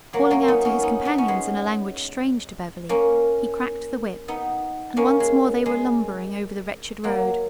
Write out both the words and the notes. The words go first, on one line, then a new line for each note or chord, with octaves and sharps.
Calling out to his companions in a language strange to Beverly, he cracked the whip, and once more they were lumbering over the wretched road.
F#3 A#3
A#3 C#4
B3 D#4
A#3 C#4
B3 D#4
B3 D#4
C#4
G#3 B3
A#3 C#4
B3 D#4
A#3 C#4
G#3
G#3
F#3 A#3